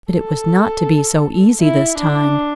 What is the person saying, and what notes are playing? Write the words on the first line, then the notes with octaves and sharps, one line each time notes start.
But it was not to be so easy this time.
A4
E4
D4